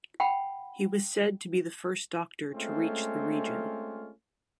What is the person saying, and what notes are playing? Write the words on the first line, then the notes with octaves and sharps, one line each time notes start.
He was said to be the first doctor to reach the region.
F#5 G5 B5
G#3 A3 C4 C#4 F4